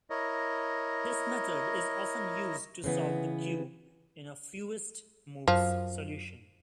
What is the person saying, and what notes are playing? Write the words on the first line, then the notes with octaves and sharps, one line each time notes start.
This method is often used to solve the cube in a fewest-moves solution.
E4 A#4 C#5 D#5
C#3 E3 B3
F#2 F3